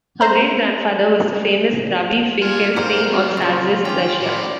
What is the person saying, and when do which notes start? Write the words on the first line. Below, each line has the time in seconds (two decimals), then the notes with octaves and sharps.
Her great-grandfather was the famous Rabbi Finkelstein of Czarist Russia.
0.21 C5 A#5
2.42 B1 A#3 F4 F5 G#5
2.76 G#2 G3 A#3 A#4 C5
3.07 F#3 C4 F#4
3.37 A#2 C#3 F4
3.85 D#3 C#4 G5 D6
4.20 A2 A#4 D5